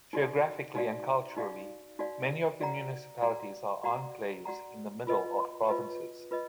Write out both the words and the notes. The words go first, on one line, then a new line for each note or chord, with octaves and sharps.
Geographically and culturally, many of the municipalities are enclaves in the middle of provinces.
D#4 F#4 D5 F5
D#4 F#4 D5 F5
D#4 F#4 D5 F5
D#4 F#4 D5 F5
F#4 D5 F#5 A#5
F#4 D5 F#5 A#5
F#4 D5 F#5 A#5
F#4 D5 F#5 A#5
F4 B4 D#5
F4 B4 D#5
F4 B4 D#5